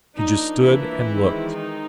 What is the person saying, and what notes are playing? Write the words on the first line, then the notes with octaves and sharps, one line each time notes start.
She just stood and looked.
F3 A#3 D4 D#4
E3 E4
D#3 G#3 C4
D#4